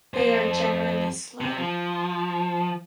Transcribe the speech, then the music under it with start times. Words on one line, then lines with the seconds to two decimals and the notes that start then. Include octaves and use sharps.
They are generally slow.
0.14 F2 C5
1.41 C3
1.58 F3